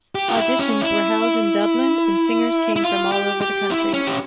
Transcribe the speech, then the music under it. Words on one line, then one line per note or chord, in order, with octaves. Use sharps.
Auditions were held in Dublin and singers came from all over the country.
G4
F4
E4
C#4
E4
E4
F4
G4
G4
E4
C#4
G4